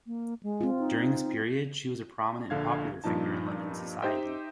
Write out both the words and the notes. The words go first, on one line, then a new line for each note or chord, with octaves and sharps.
During this period, she was a prominent and popular figure in London society.
A#3
G#3
C4 F4
D#4
A#1 D3 F5 G#6
G2 A#2 F3 D#4 A5
D#4 G4 C5 D#5 E5 G5